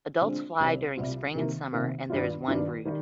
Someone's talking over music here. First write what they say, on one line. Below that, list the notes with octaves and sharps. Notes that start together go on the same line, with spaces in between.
Adults fly during spring and summer and there is one brood.
D3 G#3 C4 F4
C2 C3 G3 C4 F4
C2 C3 G3 C4 F4
C3 D#3 A#3
C3 D#3 A#3
G2 D#3 G3 D4 F4
G2 D#3 G3 D4 F4
D#3 G3